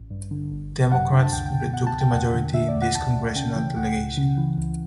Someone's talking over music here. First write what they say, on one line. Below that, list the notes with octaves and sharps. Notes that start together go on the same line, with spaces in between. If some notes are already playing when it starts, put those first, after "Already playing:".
Democrats retook the majority in this congressional delegation.
Already playing: A1
G2
D3
G1
G1
F#2 F#5
F#5
D3
A5
C#2 G5
G5
B2
G5
B2 F#5
A5
C#2
G5
E2 F#5
D3
D3 E5
D5
E2
F#5
C#2 A5
C#2
C#3 G5
E3 G5
C#2 F#5
C#2
C#3
E3
C#2